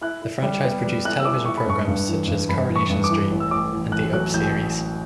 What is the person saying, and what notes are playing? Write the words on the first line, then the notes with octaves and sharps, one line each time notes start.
The franchise produced television programmes such as "Coronation Street" and the "Up Series".
E4 F#6
E4
G3
B3
G3
E4 F#6
E6
E4 D6
E4 C#6
B5
G2 C#6
G2
E3
G2
G2 B5
E3
C#6
G2
D6
E3
A1
E6
A1 D6
A1
A1 F#6
F#3 F#6
A1 G6